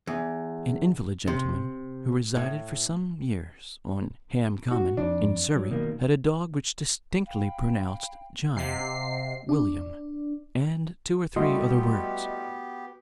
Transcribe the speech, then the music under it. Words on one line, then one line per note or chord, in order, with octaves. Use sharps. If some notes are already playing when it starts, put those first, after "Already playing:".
An invalid gentleman, who resided for some years on Ham Common, in Surrey, had a dog which distinctly pronounced John, William, and two or three other words.
E2
C3
A2
F#4
F2 D4
F#3
B2 D#3 A#3
F5 G5 B5
C3 D#5 F5 F#5 C7
D4
G3 A3 B3 E4 F#4 G4 D#5 C6